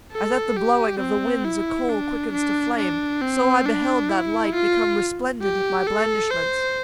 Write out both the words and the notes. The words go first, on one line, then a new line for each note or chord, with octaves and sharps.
As at the blowing of the winds a coal Quickens to flame, so I beheld that light Become resplendent at my blandishments.
A4
G4
C4
E4
D4
D4
D4
C4
D4
E4
F4
G4
A4
C5